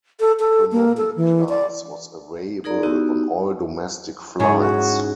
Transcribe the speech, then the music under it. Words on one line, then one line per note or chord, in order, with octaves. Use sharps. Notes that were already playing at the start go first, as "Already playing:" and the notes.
Economy Class was available on all domestic flights.
A4
A4
A#3
A4
E3
D5
D#4 G#4 A#4 D5 A#5
B3 D#4 E4 F#4 G4
G#2 C#3 E4 G#4 C#5
F#4